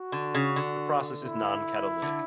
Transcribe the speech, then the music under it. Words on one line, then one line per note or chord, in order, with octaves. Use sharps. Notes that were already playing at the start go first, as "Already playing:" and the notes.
The process is non-catalytic.
Already playing: F#4
D3
C#3
D3
E4
D3